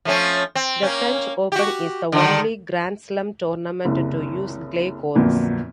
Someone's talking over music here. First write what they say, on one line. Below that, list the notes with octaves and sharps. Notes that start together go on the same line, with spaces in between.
The French Open is the only Grand Slam tournament to use clay courts.
F3 A3 C#4
C4
A#3 C#4
F#4 G4
D3 D#3
F#1 C2
G1 F2 A#2 F#3